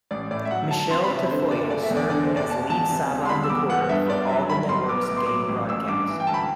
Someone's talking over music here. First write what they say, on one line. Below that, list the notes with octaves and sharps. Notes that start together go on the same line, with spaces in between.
Michele Tafoya served as lead sideline reporter for all of the network's game broadcasts.
A1 D5
A2 D5
E5
F#3 F#5
D2 A5
C4 C6
B5
C3
E5
D3 C5
F#1 D5
A3 D5
E5
E2
D5
D3 D5
C5
F#1
D5
F#1 A5
E2 A5
C3
E1
C6
G3 B5
E6
E2 D6
B3 F#5
G2 E5
D4 D5
F#3 E5
G3 B5
B1 C6
B3 D6
A2 D6
C6
F#3 D6
A1
A1 E6
G2 D6
E3
G5
D2 A5
B5